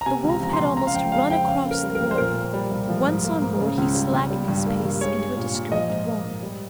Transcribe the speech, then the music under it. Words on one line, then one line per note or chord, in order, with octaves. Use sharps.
The wolf had almost run across the wharf; once on board, he slackened his pace into a discreet walk.
A#5
C3 G#5
C#2
A#5
F3 A#5
C6
C#2
C#3 A#5
F5
F2 G5
G#3 F5
F2 G5
C#3 F5
A#3
A#4
G3
A#4
F2
C5
A#2 A#4
A#3
G3
C2
F3
G#2
A#3
G#2
C#3
C#2
G3
C#2
G3
G2
A#3
G2
G#3 C#5
G#3
A#2
A#2
F3 D#5
G#2
A#3
G#2
G3